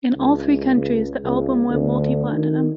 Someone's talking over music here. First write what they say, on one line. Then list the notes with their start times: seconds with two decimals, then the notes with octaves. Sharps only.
In all three countries, the album went multi-platinum.
0.16 C#2
0.77 C#2
1.24 C#2
1.70 D2
2.33 D#3